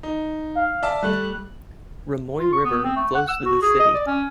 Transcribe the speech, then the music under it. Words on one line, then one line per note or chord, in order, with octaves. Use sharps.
Rumoi River flows through the city.
D#4
F5
D5 E5 A5
G3 A3 F#6
F4
C#6
B3
C4
A3
F#5
E6
F#4
G#4
D#5
D5
C#4